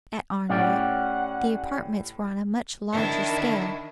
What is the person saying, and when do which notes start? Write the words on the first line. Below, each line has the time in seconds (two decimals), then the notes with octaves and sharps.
"At Arnwood; the apartments were on a much larger scale."
0.50 A2 C#4 G4 D5 F#5
2.92 D#3 D4 E4